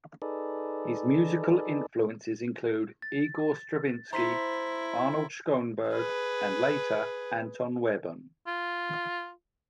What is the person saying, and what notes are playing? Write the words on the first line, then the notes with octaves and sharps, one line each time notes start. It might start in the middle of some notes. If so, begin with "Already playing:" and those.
His musical influences include Igor Stravinsky, Arnold Schoenberg, and later Anton Webern.
D#4 G#4 A4 B4 D5
A6
E4 C5 A#5 C6 B6
G#4 B4
F4